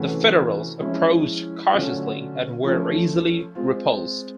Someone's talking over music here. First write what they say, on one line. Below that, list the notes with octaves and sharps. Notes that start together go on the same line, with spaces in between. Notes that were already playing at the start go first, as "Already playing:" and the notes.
The Federals approached cautiously and were easily repulsed.
Already playing: C3 E3 A3 C#4 F#4
F3 G#3 C#4 E4
D3 F#3 A3 C#4 F4
F3 A3 C#4 F4
G#3 C4 F4